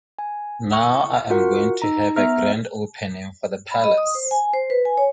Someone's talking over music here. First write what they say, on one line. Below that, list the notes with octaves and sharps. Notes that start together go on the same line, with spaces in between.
'Now I am going to have a grand opening for the palace.
G#5
C#6
F4 F#4 A#4 F#5
D#4 A#5
B3 E5 A#5 F6
B5
D#5
D#6
C5
G#5
C5
B4
G#5
C#5